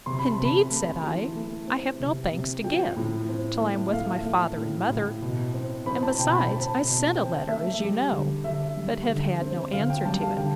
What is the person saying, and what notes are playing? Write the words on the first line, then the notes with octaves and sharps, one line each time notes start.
Indeed, said I, I have no thanks to give, till I am with my father and mother: and besides, I sent a letter, as you know; but have had no answer to it.
C3 C6
B5
A5
C3
B5
A3
E3
A3
C4
C3
C3
F3 G5
A2
C4
A3
A3 F5
A3
A2
A2
B2
C4
C4 B5
A5
B2 G5
B5
C4 A5
B2
C4 G5
A3 E5
G3
D3
D3 E5
G3
D3
C4
D3 F5
G5
G3 A5
F5
D3 G5